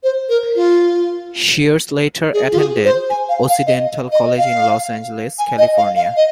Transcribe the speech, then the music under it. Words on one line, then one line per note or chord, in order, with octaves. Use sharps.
Shears later attended Occidental College in Los Angeles, California.
C5
A#4
F4
G#4
F4
G#4
C5
G#5
F5
F5
D#5
D#5
F5
G#5
D#5
F5
F5
D#5